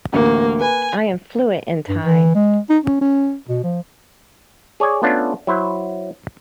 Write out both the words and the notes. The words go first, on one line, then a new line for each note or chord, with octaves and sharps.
I am fluent in Thai.
A1 D2 A#3
B4 G#5
G2
E3
G#3
D#4
C#4
C#4
B2
F3
G#4 C#5 D5 G#5
A3 B3 C#4 D4 F4
F#3 E4 C5